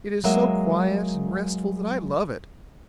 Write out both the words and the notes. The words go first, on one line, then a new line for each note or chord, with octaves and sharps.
It is so quiet and restful that I love it.
F#3 G#3 A#3 E5